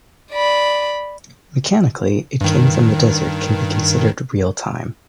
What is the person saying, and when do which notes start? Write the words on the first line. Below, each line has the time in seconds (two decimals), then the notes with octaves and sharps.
Mechanically, "It Came From the Desert" can be considered real-time.
0.32 D5 B5
2.41 G2 D#3